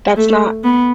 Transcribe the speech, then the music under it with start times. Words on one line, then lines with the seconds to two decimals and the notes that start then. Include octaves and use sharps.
that's not
0.17 A3
0.64 B3